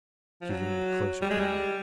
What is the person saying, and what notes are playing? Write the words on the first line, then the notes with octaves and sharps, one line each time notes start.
She leaned closer toward me.
F3
F#3
G3
G#3
G3